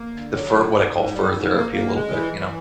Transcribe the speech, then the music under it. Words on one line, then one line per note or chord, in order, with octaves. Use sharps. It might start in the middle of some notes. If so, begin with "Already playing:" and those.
the fur what I call "fur therapy," a little bit, you know,
Already playing: A#3
D3
F#3
D3
G#2
G#2
G3
G#2
A#3
A#3
G#3
E3
E3